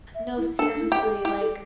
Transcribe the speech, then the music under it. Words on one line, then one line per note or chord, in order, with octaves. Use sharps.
No, seriously, like
E5
E4
D4 A4
D4
E4
G4
A4
E4 G4
A4